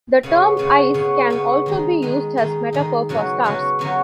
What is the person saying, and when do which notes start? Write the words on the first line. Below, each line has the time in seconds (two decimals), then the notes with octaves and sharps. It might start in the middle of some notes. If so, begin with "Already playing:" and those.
The term "eyes" can also be used as a metaphor for "stars".
0.23 C#3 B3 G#4 C#5
0.57 C#3 B3 G#4 C#5
0.94 C#3 B3 G#4 C#5
1.30 C#3 B3 G#4 C#5
1.66 D#3 G#3 D#4
2.02 D#3 G#3 D#4
2.37 D#3 G#3 D#4
2.73 D#3 G#3 D#4
3.09 C#3 F#3 B3 F#4 C#5
3.44 C#3 F#3 B3 F#4 C#5
3.79 C#3 F#3 B3 F#4 C#5